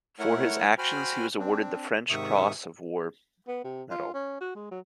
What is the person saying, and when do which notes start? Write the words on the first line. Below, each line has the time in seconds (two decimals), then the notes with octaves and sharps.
For his actions, he was awarded the French Cross of War medal.
0.19 A3 E4 A#4 C#5 F#5
0.78 F#4 C5 G5 G#5 B5 F6
1.39 C4 D4
2.10 G#2 C3 D#3 E5 C#6 D#6
3.48 B3
3.64 C3
3.91 F4
4.14 C#4
4.41 F#4
4.55 G#3
4.71 F#3